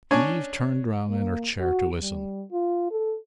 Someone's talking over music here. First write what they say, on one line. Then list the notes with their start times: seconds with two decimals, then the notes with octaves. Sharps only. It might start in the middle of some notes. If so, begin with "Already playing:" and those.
Eve turned round in her chair to listen.
0.11 C#4 D4 C#5 G#5
1.10 A#3
1.61 F#4
2.01 G3
2.52 F4
2.91 A4